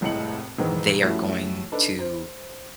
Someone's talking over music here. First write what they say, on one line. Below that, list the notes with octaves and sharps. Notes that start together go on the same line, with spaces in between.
they are going to,
F1 C2 A2 G#3 C#7 F#7
E1 G#2 D#3 E3
F3 G3 A3 C#4 E4 F#4
D4 D#4 A4 B4
C5